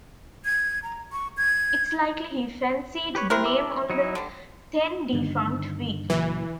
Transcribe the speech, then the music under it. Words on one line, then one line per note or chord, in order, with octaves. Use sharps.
It's likely he fancied the name of the then-defunct weekly.
G#6
A#5
C#6
G#6
G4 B4 C#5
C3 E4 A#4 G5 C6 F#6
D6 E6
F#3 D#4 E4
D3 G3
G2 D3 D#3
C#2 A#2 E3 F#3